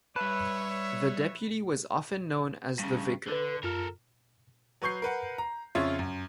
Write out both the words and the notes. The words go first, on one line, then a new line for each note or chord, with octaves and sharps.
The deputy was often known as the 'vicar'.
G3 B4 C#5 E5 A5
G2 C#3
D3 A4 B4
F#2 F4 A4 A#4 F6
F#3 B4 C#6 G6 C7
A#4 B4 F#5
A#5
F2 C#3 F4 C#5 E5
F#2